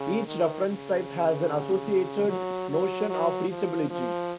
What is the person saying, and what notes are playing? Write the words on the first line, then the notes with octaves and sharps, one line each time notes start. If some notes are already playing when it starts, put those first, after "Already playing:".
Each reference type has an associated notion of reachability.
Already playing: C#3
D#3
C#3
F#3
F#3
F#3
F3
F3